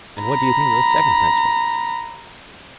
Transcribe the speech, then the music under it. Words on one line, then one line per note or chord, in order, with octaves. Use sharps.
And what do you think of a second principle?
A#5 B5